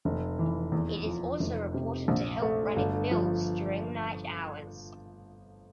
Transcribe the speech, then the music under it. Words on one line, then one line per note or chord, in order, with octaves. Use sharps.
It is also reported to help running mills during night hours.
F1
E3
E2
F3
F1
C3
A#1
A3
G1
F3